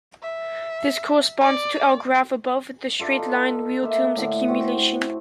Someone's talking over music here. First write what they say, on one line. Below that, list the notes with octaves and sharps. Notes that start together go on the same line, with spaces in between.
This corresponds to our graph above with the straight line real-terms accumulation.
E5
D5
F4 A4 D5 C6
D#4 B5
A#3 E5
A2 D3
C4 F#4